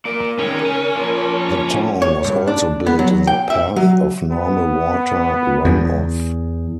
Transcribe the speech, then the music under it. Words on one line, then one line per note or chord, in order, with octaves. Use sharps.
The town was also built in the path of normal water runoff.
A#3 A#4 D5
D#3 G#3 C4 C#4
C#3 G#5
A#2 F3 A#3
C#5
G2
D4
B3
F#3
G5
E5
F#3
B3
E2